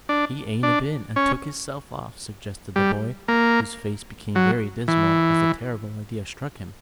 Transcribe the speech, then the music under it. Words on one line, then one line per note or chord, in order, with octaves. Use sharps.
"He ain't a been and took hisself off?" suggested the boy, whose face became very dismal as the terrible idea struck him.
D4
D4
C#4
G3
A#3
F#3
E3